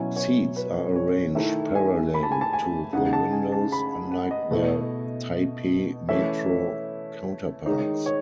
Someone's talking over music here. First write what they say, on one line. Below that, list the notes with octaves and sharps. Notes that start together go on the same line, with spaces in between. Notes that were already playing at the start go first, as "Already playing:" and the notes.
Seats are arranged parallel to the windows, unlike their Taipei Metro counterparts.
Already playing: B2 F#3 C#4 E4 G#5
C#5
B4
C#5
D#3 A3 E4 E5
G#5
B5
A5
G#5
A5
G#5
C#3 G#3 D#4 F#5
A5
G#5
A5
B5
F#5
D#5
B2 A3 E4
E3 A3 C#4 E4 E5
D#3 G#3 D#4 C#5
C#5